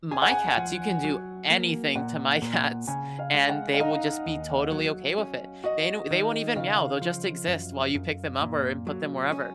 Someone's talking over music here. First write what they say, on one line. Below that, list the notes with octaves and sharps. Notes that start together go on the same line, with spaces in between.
My cats, you can do anything to my cats and they will just be totally okay with it, they know they won't even meow, they'll just exist while you pick them up or and put them wherever,
G#4 G#5
F#5
G#5
F3
F#3
A#3
A#2 F#5
A#2
C#3 G#5
F5
G#3
F#5
F5
D#4 D#5
D#2
F#3
C#4
F#4 D#5
D#3
C#3 F5
F3
F#2
F#2
A#2
F#3
C#4